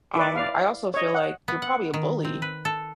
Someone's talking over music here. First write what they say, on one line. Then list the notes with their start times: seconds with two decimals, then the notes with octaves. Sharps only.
Um, I also feel like you're probably a bully.
0.16 E4 B4 D5
0.36 D5 F5
0.94 C#5 D#5
1.14 F#5
1.48 B3
1.62 F#5
1.94 D#3
2.25 C4
2.42 B4
2.65 A4